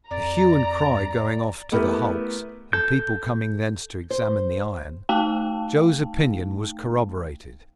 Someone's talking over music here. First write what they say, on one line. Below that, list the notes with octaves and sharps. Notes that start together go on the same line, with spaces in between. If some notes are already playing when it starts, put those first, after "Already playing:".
The hue and cry going off to the Hulks, and people coming thence to examine the iron, Joe's opinion was corroborated.
F2 D5 A#5
A3 B3 E4 G4 A#4 B4
A4 G6
C5
A3 D#4 F5 G5 A5